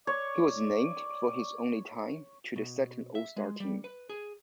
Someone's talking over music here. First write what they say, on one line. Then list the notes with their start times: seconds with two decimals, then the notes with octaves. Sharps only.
He was named, for his only time, to the Second All-Star team.
0.07 C#5 D5
2.56 B2
3.15 E5
3.36 G#3
3.60 G3
3.84 B4
4.09 G#4